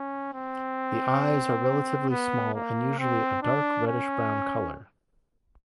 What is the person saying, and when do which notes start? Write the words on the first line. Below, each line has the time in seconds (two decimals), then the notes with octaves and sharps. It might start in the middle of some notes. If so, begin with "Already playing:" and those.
The eyes are relatively small and usually a dark reddish-brown color.
Already playing: C#4
0.33 C4
2.10 B3
2.54 A#3
2.98 C4
3.42 D4
3.87 C#4